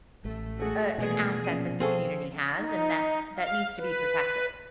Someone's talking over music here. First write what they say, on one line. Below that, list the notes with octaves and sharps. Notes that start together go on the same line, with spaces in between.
a an asset that the community has and that that needs to be protected.
A1 A3
A3 F#4 G#4 A4
A#1 B2 E3 A3 G#4
A#2 F3 C#4 D#7
C4 G#4 A4 F5 C#6
D#4
F5
B4